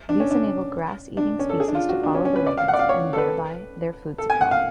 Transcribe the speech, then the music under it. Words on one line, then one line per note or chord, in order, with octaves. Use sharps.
These enable grass-eating species to follow the rains and thereby their food supply.
D4
C#4
D4
D4
C#4
A4
G#4
D4
F4
F#4
D4
C#4
C#4
B4
D5
F5
F#5
D5
F5
C#5
A4
B4
A4
G#5
F#5
F5